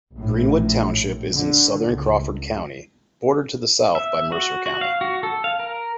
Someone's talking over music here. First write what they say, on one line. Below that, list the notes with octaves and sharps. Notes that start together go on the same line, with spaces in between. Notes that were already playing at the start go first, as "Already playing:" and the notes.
Greenwood Township is in southern Crawford County, bordered to the south by Mercer County.
A#1 A2
D3
C#2
E5
F#4
F#4
F5
F#4
A4
F5
A#4